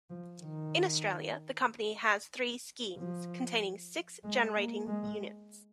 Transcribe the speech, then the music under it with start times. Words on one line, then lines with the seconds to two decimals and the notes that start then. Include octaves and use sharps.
In Australia, the Company has three schemes containing six generating units.
0.10 F3
0.41 D#3
2.96 F3
4.24 G#3
4.56 A#3
4.87 G#3